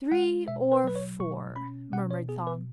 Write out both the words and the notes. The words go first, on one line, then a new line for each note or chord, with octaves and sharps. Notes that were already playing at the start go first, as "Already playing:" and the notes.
"Three or four," murmured Thong.
G#3 F#5
B2 E5
B4
F#3 B4
C#5
B2 C#6
C#4 B5
B2 F#5
C#5
B3 G#4
B4